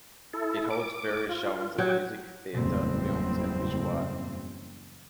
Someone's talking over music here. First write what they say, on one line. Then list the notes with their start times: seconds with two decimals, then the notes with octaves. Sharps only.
It holds various showings of music, theatre, films and visual art.
0.33 E4 A4
0.70 D6
1.29 F4
1.78 F#3 G4 G5
2.54 F#1 E2 A2 G3 C4